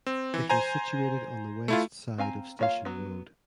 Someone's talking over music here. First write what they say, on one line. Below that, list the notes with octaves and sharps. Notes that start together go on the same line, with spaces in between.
It was situated on the west side of Station Road.
C4
E3
C5 G#5 A#5
A3 E4 F4
C4 F5 G#5 A#5
A#3 F4 C#5 D#5 F5
F#3 B3